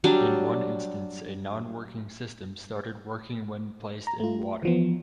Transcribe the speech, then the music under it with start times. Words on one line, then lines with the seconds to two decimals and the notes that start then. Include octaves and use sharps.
In one instance a non-working system started working when placed in water.
0.04 F#3 G3 D4
4.07 A#5
4.20 A3 F4
4.63 E3 F3 B3